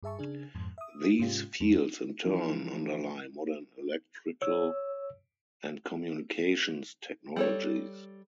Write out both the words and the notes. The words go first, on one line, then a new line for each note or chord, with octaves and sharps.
These fields in turn underlie modern electrical and communications technologies.
G2 G#4 E5 A5 C#6
C#3 D4 G#4
F2 G#2
E5 D#6
G#2 C3 G#3 C#4 F4 G4
F2 G3
E3 F3 D#4
C#5 E6
G3 A4 C#5